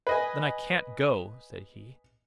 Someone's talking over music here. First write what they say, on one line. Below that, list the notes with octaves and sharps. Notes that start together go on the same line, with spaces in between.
'Then I can't go,' said he.
B4 D#5 G#5